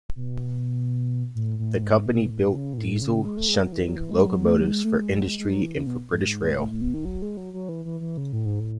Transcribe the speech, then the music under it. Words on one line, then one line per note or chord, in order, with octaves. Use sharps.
The company built diesel shunting locomotives for industry and for British Rail.
B2
A2
A2
G#2
B2
A2
C#3
B2
A2
C#3
G#3
A3
G#3
F#3
E3
F#3
E3
G#3
F#3
A3
F#3
G#3
A3
G#3
F#3
G#3
G#3
F#3
E3
C#3
B2
G#2
A2
A2
B2
D#3
F#3
G#3
F#3
F#3
E3
E3
E3
C#3
A2
G#2
A2